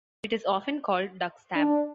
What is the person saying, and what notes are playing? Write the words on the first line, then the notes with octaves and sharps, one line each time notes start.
It is often called Duck Stab!
D4